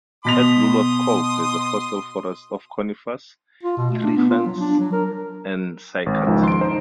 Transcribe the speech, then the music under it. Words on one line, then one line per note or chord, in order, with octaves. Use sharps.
At Lulworth Cove there is a fossil forest of conifers, tree-ferns and cycads.
B2 C6 D#6 B6 F7
F4
B2
A3
D4
B3
F4
F#3
D4
F#3
A#4
G#1
C#2 D#3 F3
C6 D7
D#4 C5 A#5